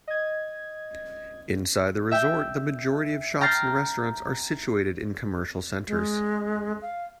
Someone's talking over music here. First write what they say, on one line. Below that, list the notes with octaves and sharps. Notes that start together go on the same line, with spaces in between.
Inside the resort, the majority of shops and restaurants are situated in commercial centres.
D#5 G#6
E5 G5
G5 A#5 F6 A6 C7
G#3
F5